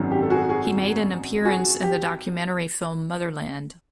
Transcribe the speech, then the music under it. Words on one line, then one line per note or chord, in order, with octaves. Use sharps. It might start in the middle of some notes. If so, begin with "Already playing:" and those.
He made an appearance in the documentary film "Motherland".
Already playing: G#1 F#2 D#3 F#3
G4
A4
F#4 G#4
F#4 G#4
F#4 G#4
G4